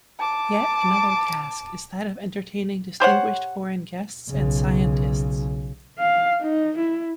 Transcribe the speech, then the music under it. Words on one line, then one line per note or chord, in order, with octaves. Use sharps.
Yet another task is that of entertaining distinguished foreign guests and scientists.
A5 D6
G4 C5 C#5 F#5
B1 C#3
F5
D#4
E4